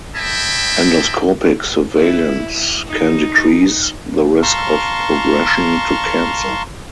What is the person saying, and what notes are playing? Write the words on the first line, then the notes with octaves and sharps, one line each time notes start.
Endoscopic surveillance can decrease the risk of progression to cancer.
C#5 D#5 E5 G5 A5 B5
E4
D#4
F5 A5 A#5 C6 C#6